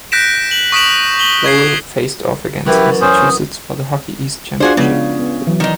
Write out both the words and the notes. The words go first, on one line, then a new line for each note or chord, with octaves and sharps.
Lowell faced off against Massachusetts for the Hockey East championship.
F#6 G6 A#6 B6 D7 E7
F#7
C#6 D#6 B6 D7 E7 F#7
F#7 G7
C#6 G#6 C7
F#2 E3 E4 G4 B4
C#4 C5 D#6
D4 F4 F#4 G#4 C5
C#3 F3 G#3 B3
B3
E3 F#3
D#3 D#4